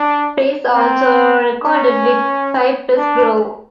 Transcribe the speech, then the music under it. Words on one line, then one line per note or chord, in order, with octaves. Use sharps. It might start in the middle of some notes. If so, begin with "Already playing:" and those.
Pierce also recorded with Cypress Grove.
Already playing: D4
C4
C#4
D4